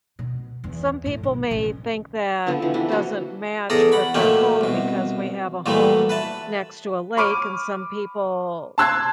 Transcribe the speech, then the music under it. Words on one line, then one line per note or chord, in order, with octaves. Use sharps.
Some people may think that doesn't match with our home because we have a home next to a lake, and some people
B2
E2
A2
B1
A1
D3 F3 B3 C4
D3 E3
E3 G3 D4
A#3 F#4 A4 C5
E2 G#4 A4 D5 A#5
F#5 B5 C#6
A#2 D#3 F#3 A3 C#4 G4
C2 B2
A#2 E3 F#3 G3 A3
B4 E5 A5
B5 C#6 D6 F6 D7 D#7
A5 C6 E6 F#6 G#6 C7